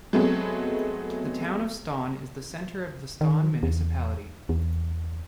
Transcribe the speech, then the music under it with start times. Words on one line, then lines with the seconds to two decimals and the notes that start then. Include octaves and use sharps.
The town of Ston is the center of the Ston municipality.
0.13 F#3 G#3 A3 B3 C4 G#4
3.21 D#3
3.63 E2
4.49 E2